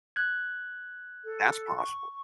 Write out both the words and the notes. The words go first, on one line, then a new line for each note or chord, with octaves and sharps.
That's possible.
F#6 G#6
A4
C#6